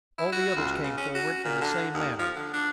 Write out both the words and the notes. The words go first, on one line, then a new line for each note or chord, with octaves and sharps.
All the others came forward in the same manner.
E4
F#4
C#2
C#3
C#4
F#4
A#2
D3
D#2
F3
D3
D4